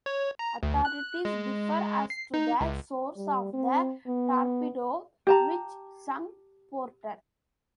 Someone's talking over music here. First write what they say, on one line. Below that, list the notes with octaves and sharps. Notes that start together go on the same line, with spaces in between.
Authorities differ as to the source of the torpedo which sunk "Porter".
C#5
A#5
D2
F#6
G#3
C7
D#4
C#2
G3
C4
B3
G4 A5 A#5